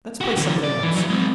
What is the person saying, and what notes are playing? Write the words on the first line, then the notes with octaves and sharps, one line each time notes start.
Let's play something else.
F#4 G4
D3 E3
D5
E3
F#3 E4
G#3 C4